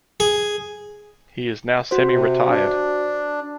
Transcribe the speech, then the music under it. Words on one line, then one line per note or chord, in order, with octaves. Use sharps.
He is now semi-retired.
G#4
F#4 C5
C3
D4